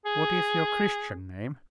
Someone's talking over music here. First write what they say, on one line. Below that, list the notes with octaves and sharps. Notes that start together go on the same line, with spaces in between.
"What is your Christian name?"
G#4